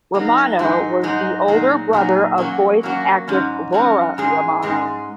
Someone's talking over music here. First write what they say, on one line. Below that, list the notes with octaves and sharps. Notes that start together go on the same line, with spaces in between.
Romano was the older brother of voice actress Laura Romano.
F#3 A#3 D#4
G#2 F#3 D#4 G#4
G#2 F#3 D#4 G#4
A#2 F#3 D#4 G#4
A#2 F#3 D#4 G#4
F#3 A#3 C#4 F#4
F#3 A#3 C#4 F#4
G#2 F#3 C#4
G#2 F#3 C#4
G#2 G#3 C#4 G#4
G#2 G#3 C#4 G#4